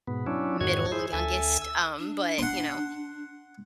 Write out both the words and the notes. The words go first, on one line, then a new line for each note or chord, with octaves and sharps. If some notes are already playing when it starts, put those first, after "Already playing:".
middle youngest, um, but, you know,
G#2 B2 B3
F#3 C#4 D4 E4
F2 G#2 D#3 F#4 C#5 G#6
E4 G#4 C5
D2 A4 E5 G#5
E6
D4
F#5 C6